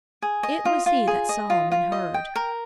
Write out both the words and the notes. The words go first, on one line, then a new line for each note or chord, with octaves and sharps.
It was he that Solomon heard.
G#4
D#5
F4
F4
G#4
D#5
F4
F4
D#5
G5
A#4